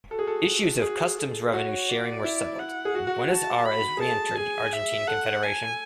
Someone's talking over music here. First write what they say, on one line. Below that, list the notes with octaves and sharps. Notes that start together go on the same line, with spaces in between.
Issues of customs revenue sharing were settled, and Buenos Aires reentered the Argentine Confederation.
F#4 A4
G#4
A4
F#4 G#4
A4
F#4 C#5
D5
E4
F#5
G#4
F#4
F#4
F#4
F#4 A5
B5
G#4
A4 A5
G#4 G#5
E5
A4 F#5
G#5